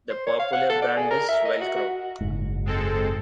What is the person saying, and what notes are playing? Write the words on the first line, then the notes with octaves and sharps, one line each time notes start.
The popular brand is Velcro.
C5
C#5
F5
F#5
A4
D5
G#4
A#4
E5
D#5
F#4
F#4
F#1 G#2
G#3 C4 A4